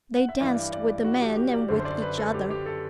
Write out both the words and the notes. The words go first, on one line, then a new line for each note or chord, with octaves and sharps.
They danced with the men and with each other.
F#5
E5
G2 E3 D5
D5
F#4
G4
G4
D5
F#2 D3 C5
C5
D5
B4
A4
G4
G4
A4